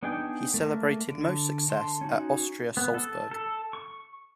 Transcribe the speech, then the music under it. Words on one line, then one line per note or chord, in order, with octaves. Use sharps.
He celebrated most success at Austria Salzburg.
B3 D4 D#4 G#4 G5
A3 A#3 A#4
D3
D3 A5 C6
C#4 D#4 F#4
B3
A4
A4
C#6